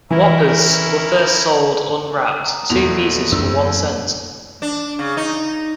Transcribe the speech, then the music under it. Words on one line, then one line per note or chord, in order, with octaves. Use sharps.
Whoppers were first sold unwrapped, two pieces for one cent.
E3 C#4 E4 A#4
A#5 D#6
E2 B2 A#3 A4 D5 F7
F#2 D4 E6
D4
C#3
D#4